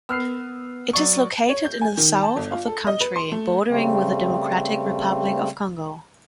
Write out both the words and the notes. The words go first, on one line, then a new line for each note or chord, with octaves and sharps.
It is located in the south of the country, bordering with the Democratic Republic of Congo.
B3 E6 F6 C7
F#3 D5 C#6
C#5
G6
G#5
D#3
A5
G1
F4
A4
D#5
B4
C6
A3
C#3 G3 A3 C4